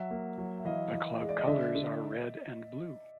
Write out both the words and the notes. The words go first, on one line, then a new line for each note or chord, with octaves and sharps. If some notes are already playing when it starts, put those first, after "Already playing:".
The club colours are red and blue.
Already playing: F#3 E5 F#5
A#3
F#3
E5
E3 D#5 F5
E3
G#3
D5
D#5
D3 D5 E5
D3